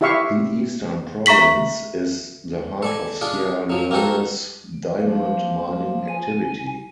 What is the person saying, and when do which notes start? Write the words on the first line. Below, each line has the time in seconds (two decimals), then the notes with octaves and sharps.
The Eastern Province is the heart of Sierra Leone's diamond mining activity.
0.01 E4 G4 E5 F5 C#6
1.26 E5 A#5 C#6 B6 F#7
2.83 A4 D5 G#5
3.21 G#3 D4 F4 D6
3.70 F3 F#3
3.91 A#3 C4 F4 F#4 A4
5.01 F3 A#3
6.08 G#5